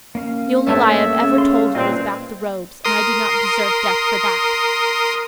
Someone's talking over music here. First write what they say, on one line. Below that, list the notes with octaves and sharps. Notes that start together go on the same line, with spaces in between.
The only lie I have ever told you was about the robes, and I do not deserve death for that.'
A#3 C#4 F5
G2 A3 C#5 E5
C#3
F5 C6
A#2 C4 B4 D#5
A#4 C6 D#6